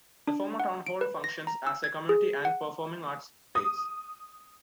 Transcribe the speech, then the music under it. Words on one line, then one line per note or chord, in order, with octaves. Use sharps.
The former town hall functions as a community and performing arts space.
D4
F#5
D7
B4
A#6
A#5
E6
G#6
G#4
F#5
D#6